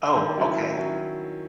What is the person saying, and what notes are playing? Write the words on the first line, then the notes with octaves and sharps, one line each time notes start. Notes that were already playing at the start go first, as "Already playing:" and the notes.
Oh, okay.
D#3
F#3 C#4 E4
D#3
F#3 C#4 E4